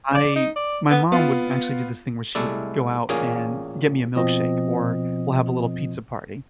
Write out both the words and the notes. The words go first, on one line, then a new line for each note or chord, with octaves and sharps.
I my mom would actually do this thing where she would go out and get me a milkshake, or we'll have a little pizza party.
D5
D#4
D5
B3
B3 F4
C2 G#3 A3 E4 D5
A1 A#2 A#3 C#4 G#4
B2 F3 C4 D#5